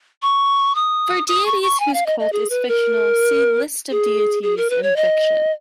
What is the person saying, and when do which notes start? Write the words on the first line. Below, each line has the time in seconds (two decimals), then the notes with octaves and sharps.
For deities whose cult is fictional see List of deities in fiction.
0.22 C#6
0.75 D#6
1.28 D#6
1.46 C#6
1.62 C#6
1.80 G#5
1.94 F5
2.06 D#5
2.20 D#5
2.33 G#4
2.50 B4
2.68 A#4
3.91 G#4
4.43 G#4
4.57 A#4
4.70 B4
4.83 C#5
4.96 D#5